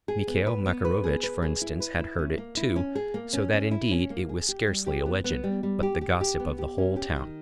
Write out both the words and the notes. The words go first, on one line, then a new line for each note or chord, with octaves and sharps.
Mihail Makarovitch, for instance, had heard it, too, so that indeed, it was scarcely a legend, but the gossip of the whole town.
G#4
B3
B4
B3
B4
G#4
B4
G#4
E4
B4
E4
C#4
A#3
E4
C#4
G#4
A#3
C#4
C#4
E4
C#4
A#3
G#4
G4
G3
G4
B3
B3
G3
G3
G4
G4
G4
B3
G4
C#4
G4
D#3